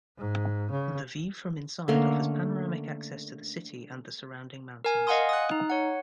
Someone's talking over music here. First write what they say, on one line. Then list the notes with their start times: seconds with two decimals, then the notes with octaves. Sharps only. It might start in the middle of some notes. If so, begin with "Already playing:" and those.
The view from inside offers panoramic access to the city and the surrounding mountains.
0.18 G#2
0.71 C#3
1.88 D3 A3 A#3 C#4
4.84 A#4 G#5
5.07 D#5 F5 F#5 G#5 C6 D#6
5.29 D#6 F#6
5.51 D#4
5.70 C#5 F#5